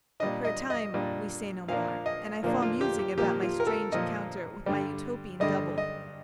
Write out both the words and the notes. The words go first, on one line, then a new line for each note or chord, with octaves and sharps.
For a time we say no more, and I fall musing about my strange encounter with my Utopian double.
A#2 G3 D4 D#5
D#5
D#5
A#2 G3 D4
A#2 F3 A#3 D4 F5
D#5
A#2 F3 A#3 D4
F4
G4
G4
A#2 F3 A#3 G4
F4
A#4
A4
A#2 F3 A#3 D#5
G2 D3 G3
G2 D3 G3 D#5
D#5